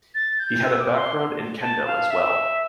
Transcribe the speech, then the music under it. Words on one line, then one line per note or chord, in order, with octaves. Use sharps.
He had a background in kendo as well.
A6
G6
E6
D6
C6
A5
F5
E5